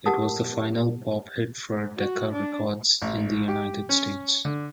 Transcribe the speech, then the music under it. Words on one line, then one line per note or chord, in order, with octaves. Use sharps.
It was the final pop hit for Decca Records in the United States.
G4 A#4 F#5 A5 D#6
F#4
D4
A1
G4
C#4
D3